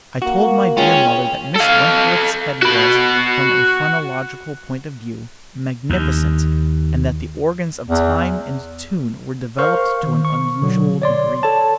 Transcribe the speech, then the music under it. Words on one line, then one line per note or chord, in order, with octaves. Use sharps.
I told my dear mother that Miss Wentworth's head was, from a phrenological point of view, magnificent, and that the organs of time and tune were developed to an unusual degree.
A#3 F#4
G#3 C#4 F4 G#4 G5
A4 F5
F#4 B5
D#2
E2
A#4 C5 F5 C#6 F6
D#3
C#6
B2 D3 F#3
C#5 D5 C6
A4 C#5 A5